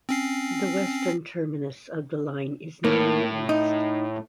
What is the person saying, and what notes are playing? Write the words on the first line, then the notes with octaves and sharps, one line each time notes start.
The western terminus of the line is Nanning East.
C4 C#4 C7
A2 A#3
D#4